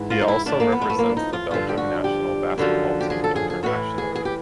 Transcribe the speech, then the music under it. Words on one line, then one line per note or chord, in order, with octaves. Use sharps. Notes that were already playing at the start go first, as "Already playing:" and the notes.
He also represents the Belgium national basketball team internationally.
Already playing: G#2 E3
F4
D#4
E4
A2 F3 D4
A#3
B3
G#3
A3
A#3
D4
D#4
F4
G2 D3 F3 F4
G4
F#4
G4
F#2 D3 F3
G4
G#4
A4
G#4
G#4
A2 E3 F#4
G#4
G#4
G4